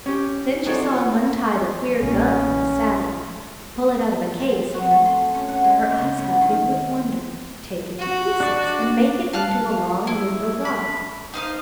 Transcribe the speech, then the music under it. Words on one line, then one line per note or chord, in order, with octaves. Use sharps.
Then she saw him untie the queer "gun" on his saddle, pull it out of a case and--her eyes got big with wonder--take it to pieces and make it into a long limber rod.
C#4 G4
F3 F#3 G#3 C4 A4 D5
F4 C#5
B1 A#2 A#3 C#4
C4
F#4
A3
C6
C#4
F#5
G#3
C#3
B3
D#3
F#4
D4 D5
F5 A5 F6 F#6
E4
B5
D#4 C5 F5 D#6